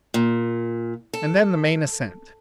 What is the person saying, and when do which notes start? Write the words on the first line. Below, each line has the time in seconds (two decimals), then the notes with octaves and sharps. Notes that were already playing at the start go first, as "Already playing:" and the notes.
And then the main ascent.
0.14 A#2
1.13 A4